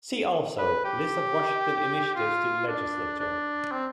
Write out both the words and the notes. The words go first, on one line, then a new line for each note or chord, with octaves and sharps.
See also List of Washington initiatives to the legislature.
B4
G4
F4
D4
D4
C4